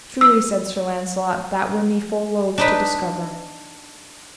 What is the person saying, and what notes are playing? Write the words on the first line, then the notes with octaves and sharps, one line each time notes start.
Truly, said Sir Launcelot, that were me full loath to discover.
E6
D4 D#4 B4